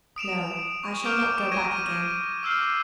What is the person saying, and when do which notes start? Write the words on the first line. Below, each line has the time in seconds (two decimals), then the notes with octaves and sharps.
"No; I shall not go back again."
0.16 D#6 D7 E7 F7
0.84 C#6
1.05 D6 F6 G6 D7 E7 F7
1.52 C#6 G#6 A#6 D#7
2.43 D6 E6 F6 G6 C7